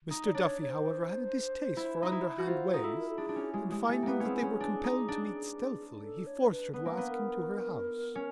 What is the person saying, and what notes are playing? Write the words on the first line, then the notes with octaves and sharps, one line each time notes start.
Mr. Duffy, however, had a distaste for underhand ways and, finding that they were compelled to meet stealthily, he forced her to ask him to her house.
D#4
D5
D4 C#5
C#5
C5
E4
D#4
E4
F#4
F4 C5
D#4
E4 A4
A#4
A4
D4 G#4
D4
C#4
G#3 G4
F#4
G#3 G4
A3 G4
A#3 B3
C4 C#4 G#4
C#4
D4
D#4
D4
A4
C#5
B4
B3 B4
A#3
B3
A#4
C#4